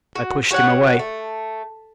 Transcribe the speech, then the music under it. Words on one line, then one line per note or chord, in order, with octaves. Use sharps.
I pushed him away.
F#4
F#4 G4 C#5 F#5
A3